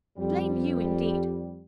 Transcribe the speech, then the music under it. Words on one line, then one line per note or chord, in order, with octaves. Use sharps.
Blame you, indeed!
F2 G3